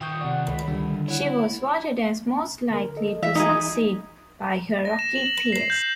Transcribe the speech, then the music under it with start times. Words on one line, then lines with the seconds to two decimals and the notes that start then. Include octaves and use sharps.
She was voted as "most likely to succeed" by her Rockette peers.
0.01 D#3 F4 G5 C#6 D#6 G6
0.21 C3 D5 F#5
0.48 C#2 B5
0.68 D3 G3
1.08 E4 C#5 F#5
2.70 D3 A#4
2.97 A4 D#5
3.23 E3 E5
3.35 D#4 G#4
4.85 A#6
4.99 E7
5.16 F#7
5.52 C7
5.70 G6